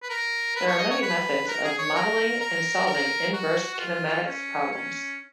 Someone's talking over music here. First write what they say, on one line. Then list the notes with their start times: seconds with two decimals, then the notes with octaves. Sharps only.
There are many methods of modelling and solving inverse kinematics problems.
0.03 B4
0.09 A#4
0.56 B4
0.68 C#5
0.79 D#5
0.90 C#5
1.02 B4
1.48 A#4
1.64 G#4
1.79 C#5
1.95 A#4
2.41 A#4
2.86 A#4
3.33 F#4
3.74 F#4
3.79 F4
4.26 C#4
4.71 C#4